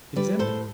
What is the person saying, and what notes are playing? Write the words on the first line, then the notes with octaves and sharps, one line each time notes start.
It is empty.
G3 B4 D5
A2 A4 C5